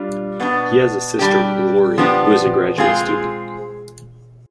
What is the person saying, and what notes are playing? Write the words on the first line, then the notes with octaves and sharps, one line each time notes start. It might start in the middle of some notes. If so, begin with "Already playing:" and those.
He has a sister, Lori, who is a graduate student.
Already playing: G3 D4 F4
B2 B3 D4
G3 D4 G4
F3 B3 D4 G4
G#3 C4 F4 G#4